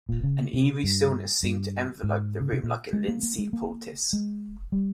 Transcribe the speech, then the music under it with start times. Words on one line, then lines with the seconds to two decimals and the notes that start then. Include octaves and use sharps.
An eerie stillness seemed to envelop the room like a linseed poultice.
0.09 A#2
0.24 C#3
0.54 C3
0.84 G2
1.43 G2
2.03 G#2
2.41 C#3
2.52 C3
2.63 A#2
2.93 G#3
3.08 A#3
3.23 A#3
3.38 G#3
3.53 A#3
4.13 G#3
4.72 G3